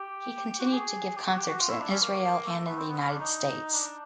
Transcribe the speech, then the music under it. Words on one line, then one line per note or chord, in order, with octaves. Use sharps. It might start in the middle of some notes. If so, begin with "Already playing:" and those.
He continued to give concerts in Israel and in the United States.
Already playing: G4
F#4
G4
G#4
G4
F#4
G4
F#4
F4
E4
D4
C#4
A#3
A3
B3
C4
B3
C#4
D4
D#4
D4